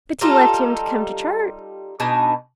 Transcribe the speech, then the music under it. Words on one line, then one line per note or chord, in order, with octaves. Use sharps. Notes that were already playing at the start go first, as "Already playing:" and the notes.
'But you left him to come to church.'
G3 D#4 F4 A4
B2 D4 D#4 G#5